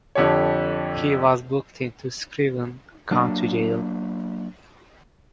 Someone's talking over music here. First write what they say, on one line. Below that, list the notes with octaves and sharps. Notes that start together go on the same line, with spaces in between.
He was booked into Screven County Jail.
F2 D3 G4 C#5
F#3 A#3 D4